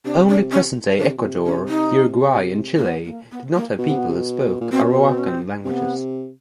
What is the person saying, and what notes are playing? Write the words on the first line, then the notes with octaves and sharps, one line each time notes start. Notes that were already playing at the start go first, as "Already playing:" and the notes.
Only present-day Ecuador, Uruguay and Chile did not have peoples who spoke Arawakan languages.
C3 D4
D4
C#4
C#3 D4
C3
B2
C3
C#4
D#4
A#3
B3
B3
A#3
B3
A#3
B2 B3
C3
B2
C3
B2
A#2
B2 C4
C#4
C4
C#4
C4
C#4
C4
C3 B3